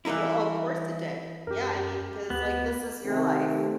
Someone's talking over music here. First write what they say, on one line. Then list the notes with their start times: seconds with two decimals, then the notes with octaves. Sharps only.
Well, of course it did. Yeah. I mean, because, like, this is your life,
0.05 E3 G3 A#3 D#4 E4
1.47 F#2 G4 A#4
2.30 D2 B3
3.05 C3 D#3 A3 C4 G4 A4